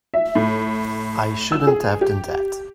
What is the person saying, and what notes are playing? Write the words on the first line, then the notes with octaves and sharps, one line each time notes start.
I shouldn't have done that.
E5
A2
E6
G#4
G4